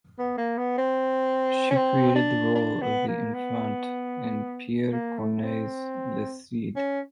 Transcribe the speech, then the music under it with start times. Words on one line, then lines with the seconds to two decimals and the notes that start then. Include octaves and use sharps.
She created the role of the Infante in Pierre Corneille’s "Le Cid".
0.19 B3
0.38 A#3
0.58 B3
0.78 C4
1.71 C#4
1.76 C4
2.15 D4
2.55 D4
2.82 B3
3.08 A#3
3.34 B3
4.92 A#3
5.19 A3
5.44 C4
6.76 C#4